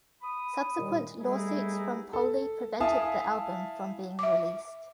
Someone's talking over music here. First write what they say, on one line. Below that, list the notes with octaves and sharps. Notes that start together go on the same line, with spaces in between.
Subsequent lawsuits from Poley prevented the album from being released.
B5 D#6
D#2 A#2 D#3 G3
G3 A3 B3 D#4 E4 G#4
A4
E4 E5 F5 G#5 A5 D#6
E5 D6